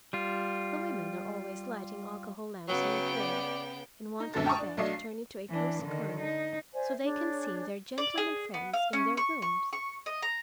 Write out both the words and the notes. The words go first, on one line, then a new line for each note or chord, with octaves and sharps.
The women are always lighting alcohol lamps on the bureau, and wanting the bed turned into a cozy corner so they can see their gentlemen friends in their rooms.
G3 F4
C#3 F#3 B3 G5
D5
D#4
A#1 F#2 D3 G#3 A4 A6
G5 A5 A#5 C#6 D#6
D4
B1 F#3 A3 D4 D#5 C7
C7
E3 D4
D3 D#3
D#4
C5 D5 E5 G#5
D4 G#4 C#5
D5
G#4
B3
F5
C#4
C#6
C#6
C#6
D#5
A#5